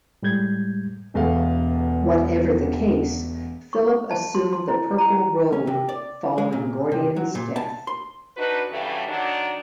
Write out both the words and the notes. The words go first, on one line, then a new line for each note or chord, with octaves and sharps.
Whatever the case, Philip assumed the purple robe following Gordian's death.
A2 G3 G#3 G6 G#6
E1 E2 A3 F5
C#6
A5
C6
C6
E4
A#5
C#4
C3
D5
G#3
A#2
C3
F#3
A#2
A5
C6
D4 D#4 F#4 B4
G2 C#3 E3 F#3 G3 A3
D#3 F#3 D4